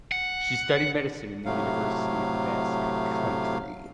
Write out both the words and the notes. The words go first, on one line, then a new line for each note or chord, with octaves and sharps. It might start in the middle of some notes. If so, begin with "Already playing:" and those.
She studied Medicine in the University of the Basque Country.
F#5
A2 C3 F#3 A3 F5